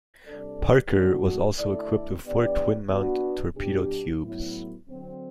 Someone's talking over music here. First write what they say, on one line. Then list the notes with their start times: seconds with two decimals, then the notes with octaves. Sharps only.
"Parker" was also equipped with four twin mount torpedo tubes.
0.25 C3 G3 D4 A4 D5
0.91 D3 G3 B3 D4 F#4
1.57 D3 A3 E4 A4 D5
2.24 E3 B3 D4 G4 D5
2.89 B3 D4 F#4
3.55 B2 G3 D4 G4
4.21 A2 F#3 B3 E4
4.87 D3 F#3 C4